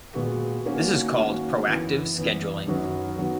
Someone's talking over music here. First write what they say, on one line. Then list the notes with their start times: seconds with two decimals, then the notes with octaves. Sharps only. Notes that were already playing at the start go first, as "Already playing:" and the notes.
This is called "proactive scheduling".
0.14 A#2 G#3 B3 F#4
0.65 D#3 A#3 C#4 F#4
1.16 D#3 A#3 C#4 F#4
1.67 F#2 E3 B3 E4
2.16 F#2 E3 B3 E4
2.67 F#2 D#3 F#3 B3 F#4
3.18 D#3 F#3 B3 F#4